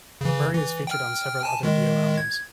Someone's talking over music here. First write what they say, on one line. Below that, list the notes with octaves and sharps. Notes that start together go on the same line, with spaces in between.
Murray is featured on several other Dio albums.
C#3 E3
E3
G5 F6
G#5 A5
D#3 G#3
G#6